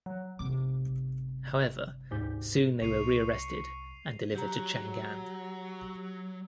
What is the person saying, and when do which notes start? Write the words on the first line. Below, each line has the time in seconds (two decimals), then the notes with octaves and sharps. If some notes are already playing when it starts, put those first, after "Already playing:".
However, soon they were rearrested and delivered to Chang'an.
0.06 F#3
0.39 G1 C3 D6
2.11 D2 G#2 G4
2.82 C2 C#6 C7 D#7 F7
4.35 F#3 G4 A#5